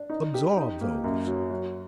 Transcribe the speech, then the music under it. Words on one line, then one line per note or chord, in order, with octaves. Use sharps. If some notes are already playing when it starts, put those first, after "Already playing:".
Absorb those.
Already playing: D4
D#4
G4
D#4
A#3
F#2
F#3
F#3